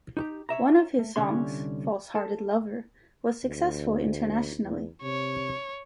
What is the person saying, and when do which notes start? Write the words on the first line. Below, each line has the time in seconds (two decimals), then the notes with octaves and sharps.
One of his songs, "False Hearted Lover", was successful internationally.
0.17 D#4 F#4 G4
0.49 C#5 D5 E5 A#5
0.99 A3
1.16 C2 G2 D3 C#4 C#5 C6
2.15 A4
3.44 D2
4.62 E2
5.03 C3 C#5